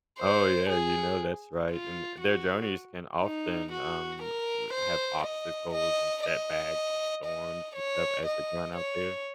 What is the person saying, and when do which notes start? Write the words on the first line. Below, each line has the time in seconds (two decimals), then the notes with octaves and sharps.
Oh, yeah, you know, that's right. And and their journeys can often, um, r have obstacles and setbacks and storms and stuff as they run out there.
0.19 C5
0.69 G#4
1.71 F4
2.20 F#4
3.22 D#4
3.72 F#4
4.22 A#4
4.73 C5
5.23 D#5
5.74 D#5
6.24 D#5
7.25 D#5
7.76 C#5
8.26 D#5
8.76 C#5